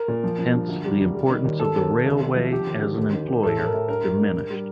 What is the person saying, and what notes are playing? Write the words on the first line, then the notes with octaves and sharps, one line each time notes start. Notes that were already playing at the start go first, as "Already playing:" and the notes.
Hence the importance of the railway as an employer diminished.
Already playing: A#4
A#2
F3
F3
G2
D2
G3
D2
G3
D#3
D#2
D#2 A4
D#2
D#2
C2
C2
F3
D3 G4
D#2
D3
D#2
D#3
D#2
A2 A4
A2
A#4
A2
G2 A#4
G3
G2
G2
G3